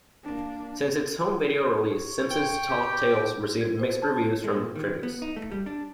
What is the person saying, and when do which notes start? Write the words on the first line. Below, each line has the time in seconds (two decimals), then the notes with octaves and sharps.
Since its home video release, "Simpsons Tall Tales" received mixed reviews from critics.
0.24 A#3 D4
1.88 C#5
2.30 G5
2.69 G4
3.61 G#6
3.80 C5
4.02 A5
4.44 G#3
4.56 A#2
4.76 D#3
5.03 B3
5.22 D#4
5.36 A3
5.52 G3
5.66 D4